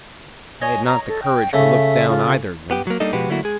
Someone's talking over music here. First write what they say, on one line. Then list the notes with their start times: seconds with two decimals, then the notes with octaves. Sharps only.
I had not the courage to look down either of them.
0.62 C#5 D#5 G#5
0.86 A#5
1.09 A4
1.23 G5
1.53 C#3 A3 E5
2.09 F4
2.71 B3 G4
2.87 F#3 A#3
3.00 G3 A#3 D4 D#4 A4 D#5
3.13 B2 F3 G#3 F#4 G4 B4
3.29 D3 F#3 A3 A#3 E4 F#4
3.43 G#3 G#4